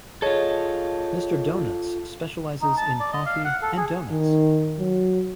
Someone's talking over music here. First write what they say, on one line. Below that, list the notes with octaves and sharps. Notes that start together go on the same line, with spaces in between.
Mister Donuts specializes in coffee and doughnuts.
F4 G#4 A4 C#5 D#5
D#4
A5
D5
D#5
F5
F#5
A4
G#4
D#3
F#3